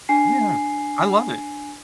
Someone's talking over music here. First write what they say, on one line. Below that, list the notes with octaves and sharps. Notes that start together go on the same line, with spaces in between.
Yeah, I love it.
D4 G#5 C7